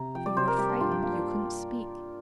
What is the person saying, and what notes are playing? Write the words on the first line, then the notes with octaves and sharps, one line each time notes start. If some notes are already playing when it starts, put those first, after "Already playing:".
For you were frightened; you couldn't speak.
Already playing: C3 A#5
F3 G5
D5
C3 C5
A#4
G3 G4
D4
G2 F4
G5
A#3 F5
D5